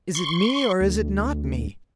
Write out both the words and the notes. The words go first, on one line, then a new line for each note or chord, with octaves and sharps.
'Is it me, or is it not me?
C6 C#6
D2